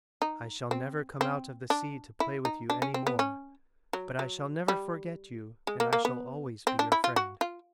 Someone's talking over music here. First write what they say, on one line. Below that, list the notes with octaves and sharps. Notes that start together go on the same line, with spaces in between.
I shall never come out of the sea to play with you any more, but I shall never forget you and I shall always be your friend.
D#4
C4
C4
D4
E4
D#4
D4
C#4
C4
B3
C#4
F#3
F#3
G3
G#3
A#3
A#3
B3
C4
D4
E4
F4
F#4
F4